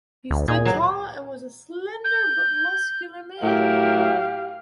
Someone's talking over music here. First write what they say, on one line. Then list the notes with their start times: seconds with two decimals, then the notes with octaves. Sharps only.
He stood tall and was a slender but muscular man.
0.31 D2
0.48 A#2 G#4
0.65 F#3 A#3
2.04 G6
3.42 A2 F#3 G4 A#4 E5 F5